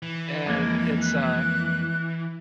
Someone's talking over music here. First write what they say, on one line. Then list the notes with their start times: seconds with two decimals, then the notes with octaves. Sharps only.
And it's a
0.02 E3
0.45 F2 G#3 A#3
1.01 F#6